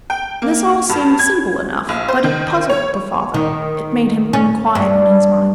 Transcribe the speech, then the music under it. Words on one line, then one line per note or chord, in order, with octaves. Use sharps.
This all seemed simple enough, but it puzzled the father, it made him unquiet in his mind.
G5
A#3
G2
G#6
A#1
C5
D#3
C#5
D#3
C#4
G2